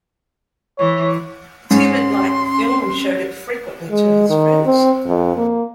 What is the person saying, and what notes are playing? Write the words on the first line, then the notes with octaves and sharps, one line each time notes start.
Tibbett liked the film and showed it frequently to his friends.
E3 C#5
G#2 C#4 C6
G#3
D#3
C4
F2
A#3